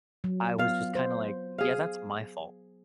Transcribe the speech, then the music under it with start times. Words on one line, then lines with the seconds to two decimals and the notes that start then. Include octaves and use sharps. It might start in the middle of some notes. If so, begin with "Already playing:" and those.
I was just kinda like, "Yeah, that's my fault."
0.24 F#3
0.58 B3 F4 F5
0.95 C5
1.58 G#4 F5